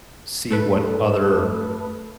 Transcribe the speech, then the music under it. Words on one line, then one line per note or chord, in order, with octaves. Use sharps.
see what other
A3 A4 B4